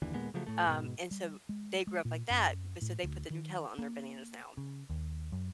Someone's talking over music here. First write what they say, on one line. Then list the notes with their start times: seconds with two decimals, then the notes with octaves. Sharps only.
Um, and so, they grew up like that, but so they put the Nutella on their bananas now.
0.02 F#1 D#2 D3 E3
0.14 D#2 A#2 G#3 B3
0.34 C#3 F3 F#3 A3
0.47 A2 A3
0.66 G#2 B2
1.11 G3
1.49 G#3
1.87 G#3
2.05 A#2
2.30 F#2
2.82 A2
3.03 D2
3.30 D#3
3.79 A#3
4.57 C#3
4.90 D#2
5.32 F#2